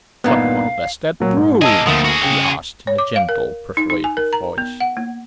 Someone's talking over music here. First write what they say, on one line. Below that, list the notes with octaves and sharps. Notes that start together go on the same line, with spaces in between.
"But what does that prove?" he asked, in a gentle, persuasive voice.
G2 A#2 B3 D#4 F5
A#2 F#3
G#2
A#3 G#4 D#5 A5 E6
D2 F3 A3 A#3 D#6
F#4 G#4
C#3 G5 G7
C#5
D6
F5
A#4
D#4
D#4
G#5
A#4
A#5
B3
F#5
A#3